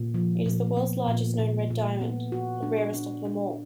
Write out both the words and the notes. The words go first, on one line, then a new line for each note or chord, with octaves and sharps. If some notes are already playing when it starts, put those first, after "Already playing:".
It is the world's largest known red diamond, the rarest of them all.
Already playing: A#2
F3
A#2
B3
A#2
A#2
A#2
B3
F#4
D4
D4
D4